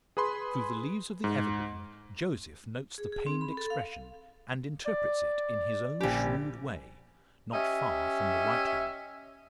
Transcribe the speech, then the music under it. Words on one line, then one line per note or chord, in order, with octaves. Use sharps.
Through the leaves of the evergreen Joseph notes the pained expression, and interprets it in his own shrewd way--not far from the right one.
G#4 B4 B5 C6
G#2
G#4
G#4
C4
B5
A4
F5
D5
A#1 C#4 G4
C#4 G4 D#5 E5